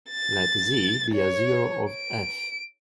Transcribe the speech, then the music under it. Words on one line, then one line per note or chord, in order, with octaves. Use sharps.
Let "z" be a zero of "f".
A6
C#5
D7